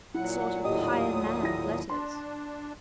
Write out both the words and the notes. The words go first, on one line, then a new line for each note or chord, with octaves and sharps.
A sort of hired man of letters!
A#2 F#3 E4 F#5
D#2 A2 G4 D#5 D#6
E4 A#6
D4 C6